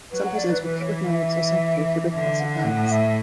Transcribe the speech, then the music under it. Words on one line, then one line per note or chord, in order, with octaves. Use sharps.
Some prisoners were cut with knives or suffocated with plastic bags.
F#3 B4
F#5
D5
B4
E3 B4
C#5
E5
D3 E5
F#5
A2 F#5
E5